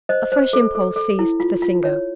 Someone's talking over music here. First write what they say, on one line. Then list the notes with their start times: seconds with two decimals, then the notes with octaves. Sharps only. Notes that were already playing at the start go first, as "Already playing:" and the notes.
A fresh impulse seized the singer.
0.09 C5 D#5
0.32 C5
0.53 A4
0.75 A4
0.96 A4
1.19 E4
1.40 F4
1.62 F4
1.84 C#5